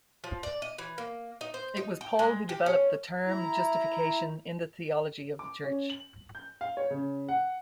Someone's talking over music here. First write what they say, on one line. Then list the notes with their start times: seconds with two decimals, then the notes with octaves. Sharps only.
It was Paul who developed the term justification in the theology of the church.
0.24 F3
0.43 D5
0.62 D#5
0.78 E3
0.98 A#3
1.41 D#4
1.54 C5
1.77 D#4
2.01 G5
2.19 G#3
2.49 G4
2.66 C#4
3.27 E4 A#5
5.39 D6
5.64 C#4
5.90 F#7
6.35 G6
6.61 F5
6.77 C#5
6.90 C#3
7.29 F#5